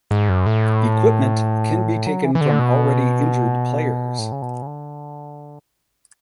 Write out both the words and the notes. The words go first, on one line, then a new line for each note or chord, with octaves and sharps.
Equipment can be taken from already injured players.
G#2
F#2
A2
F#3
E3
E3
D3
B2
A2
C#3
B2
C#3
D3